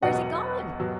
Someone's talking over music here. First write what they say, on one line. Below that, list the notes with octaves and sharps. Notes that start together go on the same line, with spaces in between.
Where's he gone?
E1 E2 B2 F#3 D#5 F#5
B2 F#3